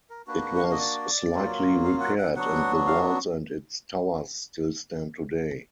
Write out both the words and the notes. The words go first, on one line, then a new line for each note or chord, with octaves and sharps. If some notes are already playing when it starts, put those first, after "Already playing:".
It was slightly repaired and the walls and its towers still stand today.
A#4
A#3 D4 F#4 B4
F#5
F5
D#5
D5
F#3 A#3 F4
F5
F#5
F#5
F#3 B3 D4 F#4 F#5
F5